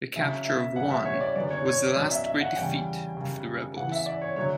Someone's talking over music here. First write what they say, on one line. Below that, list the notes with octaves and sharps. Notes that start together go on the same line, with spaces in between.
The capture of Wan was the last great defeat of the rebels.
C#3 F#3 C#4 E5
E5
C#3 G3 B3 F#5
E5
C#5
D5
F#2 D3 F#3 B3 D5
C#5
C#5
B2 F#3 C#4 D5
E5
E5
F#5
E2 C#3 G3 C#4 G5
F#2 C#3 G3
C#3 E3 B3 F#5
E5
D5
C#5
D3 F#3 A3 C#5